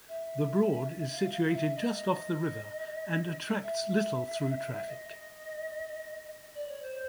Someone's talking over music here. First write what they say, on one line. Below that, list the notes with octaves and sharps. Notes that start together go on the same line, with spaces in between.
The broad is situated just off the river and attracts little through traffic.
E5
F5
F5
F5
E5
D#5
D#5
E5
D#5
D5
C#5
C5